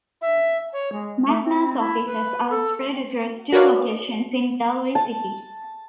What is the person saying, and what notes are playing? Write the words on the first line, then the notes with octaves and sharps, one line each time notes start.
Macnas offices are spread across two locations in Galway city.
E5
C#5
G#3
A3
C4
E4
B4
A4
F#4 A#4 B4 C#5 D5 F5
A5